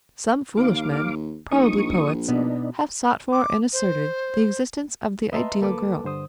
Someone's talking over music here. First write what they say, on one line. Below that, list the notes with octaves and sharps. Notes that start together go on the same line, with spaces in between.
Some foolish men--probably poets--have sought for and asserted the existence of the ideal girl.
D#2 F5 D6
A#1 D#4 C#6 D#6
B2 B3 D4 D#4
D6
C5
B4 D#5 E5 A5 A#5 C6
D2 A#3 A4 B4 A5 D6
G2 D3 C5 D#6